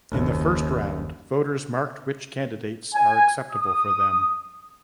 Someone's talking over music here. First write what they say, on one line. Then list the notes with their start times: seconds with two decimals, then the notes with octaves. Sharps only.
In the first round voters marked which candidates are acceptable for them.
0.11 F#1 D#2
2.95 G#5
3.51 D#6